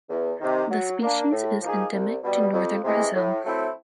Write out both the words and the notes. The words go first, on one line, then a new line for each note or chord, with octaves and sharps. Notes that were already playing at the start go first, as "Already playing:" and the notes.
The species is endemic to northern Brazil.
E2
C3 D#3
F#3
A#3 D4
A2
F3 A#3 D#4 G#4
C2
B2 G3
F2
C3 E3 G#3
A2
F#3 A3 C4 E4